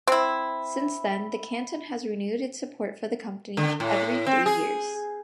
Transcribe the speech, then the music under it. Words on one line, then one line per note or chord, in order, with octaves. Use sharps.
Since then, the canton has renewed its support for the company every three years.
C4 E4
D3
A2
C4
G#4